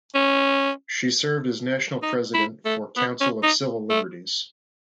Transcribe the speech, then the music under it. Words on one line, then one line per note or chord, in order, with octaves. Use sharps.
She served as the national President of the Council for Civil Liberties.
C#4
D#4
E4
A3
B3
C#4
D#4
A3